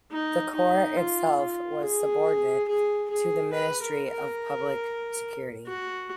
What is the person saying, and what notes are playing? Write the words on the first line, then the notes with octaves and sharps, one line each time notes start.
The corps itself was subordinate to the Ministry of Public Security.
D#4
D#4
F4
F4
G#4
G#4
G#4
B4
A#4
A#4
F#4